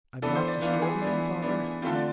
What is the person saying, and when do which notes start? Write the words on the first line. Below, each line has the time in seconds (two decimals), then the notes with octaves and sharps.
'I'm not disturbing you, father?'
0.22 E3 B3 D4 A4
0.35 C5
0.48 D5
0.62 E3 B3 D4 F5
0.82 G#4
1.02 E3 B3 D4
1.42 E3 B3 D4
1.82 D3 A3 C4 F4
1.95 D5